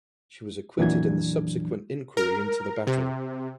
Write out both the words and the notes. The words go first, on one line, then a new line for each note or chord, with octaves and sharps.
He was acquitted in the subsequent inquiry into the battle.
F2 A#2 E3 F#3 D4 G#6
A#4
C3